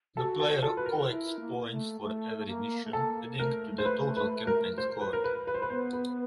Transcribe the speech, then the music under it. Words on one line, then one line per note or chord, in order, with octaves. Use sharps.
The player collects points for every mission, adding to the total campaign score.
F#4 A4
A4
F4 A4
B4
A#4
E4
A#3
A3
A3
A#3
A3
A#3 A4
A3 A#4
C5
B4
B4
A#4
C5
B4
A#4
B4
B4
C5
B4
B3 C5
B4